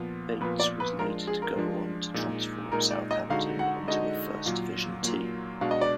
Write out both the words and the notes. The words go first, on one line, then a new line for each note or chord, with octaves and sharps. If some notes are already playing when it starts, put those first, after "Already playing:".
Bates was later to go on to transform Southampton into a First Division team.
Already playing: A#2 F3 B3 F4
A#2 F3 B3 F4 B4
D5
B4
F3 G#3 D4 F4 A#4
G#4
A#4
F3 G#3 D4 F4
A#2 G#3 D#4
A#2 G#3 D#4 A#4
D5
D#5
D3 G#3 D#4 F#4 F5
F#5
D3 G#3 D#4 F#4 D#5
A#2 F#3 A#3 F4
A#2 F#3 A#3 F4
B2 G#3 D4 F#4 F5
D#5
D5